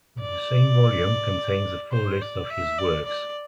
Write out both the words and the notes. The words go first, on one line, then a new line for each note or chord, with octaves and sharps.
The same volume contains a full list of his works.
D5
C5
D5
E5
D5
D5